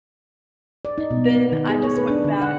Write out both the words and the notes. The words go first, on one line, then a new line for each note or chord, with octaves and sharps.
then, I just went back,
D5
D#4
B2
B3
B3
D#3
G#4
C#5
B4
D4
D3
F#5